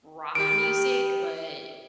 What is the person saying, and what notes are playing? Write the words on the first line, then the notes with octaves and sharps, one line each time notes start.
rock music, but,
D#3 G3 G4 D7